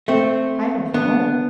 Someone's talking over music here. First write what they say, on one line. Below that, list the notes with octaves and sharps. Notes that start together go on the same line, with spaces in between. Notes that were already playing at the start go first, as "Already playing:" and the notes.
"I don't know."
A3 C4
B3 D4